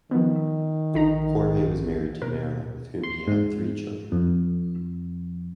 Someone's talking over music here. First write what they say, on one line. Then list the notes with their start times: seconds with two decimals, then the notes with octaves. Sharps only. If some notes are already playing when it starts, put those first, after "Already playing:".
Jorge was married to Marilyn with whom he had three children.
0.11 D#3 F3 B3
0.94 A#1 D3 D#4 A#5
2.22 B2 A#4
3.04 C6
3.27 G#2
4.12 F2